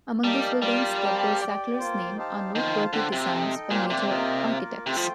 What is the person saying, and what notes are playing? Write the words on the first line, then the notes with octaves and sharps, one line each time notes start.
Among these buildings that bear Sackler's name are noteworthy designs by major architects.
G3 A#3 D#4 A#4 F5 A5
G3 D4 F4 A#4 D5 F5
C4 G4 A#4 F5 A5
G4 D5 G5
A#3 F4 C5 G5
D#4 G4 C5 F5 A5
D#3 F4 C5 F5 A5
D3 C4 F4 C5 G5
C3
D#4 A4 D#5 G5
A#2 A#3 D4 G4 C5
C3
A#3 F4 A#4 D#5 G5
A#3 F4 A#4
C3 A3 C4 F4 C5 G5
F3